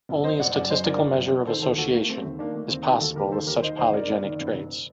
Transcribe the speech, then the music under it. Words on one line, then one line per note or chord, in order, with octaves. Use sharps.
Only a statistical measure of association is possible with such polygenic traits.
F#1
F#1 C5 D#5
F#1 D5 F#5
F#2 D5 F#5
F#2 C5 D#5
D3 A#4 D5
F#2
F#1
F#1
D#3 A4 C5
D#2 A4 C5
D#2 F#4 A4
A3 A#3
A3 C4
D#2
D#3 A#3 D4
A3
D#2 C4
D#3 D#4 G4
D#2 F#4 A4
D#2 G4 A#4
D#2 A4 C5
D#2 G4 A#4
D#3 C5 D#5
D#2 C5 D#5
F#1 A#4 D5
F#1
D#3
F#1
F#1